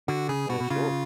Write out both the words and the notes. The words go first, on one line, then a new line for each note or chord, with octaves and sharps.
Oh, sure.
D3 F#4
C#3 G#4
B2 F#4
B2
C#3 F4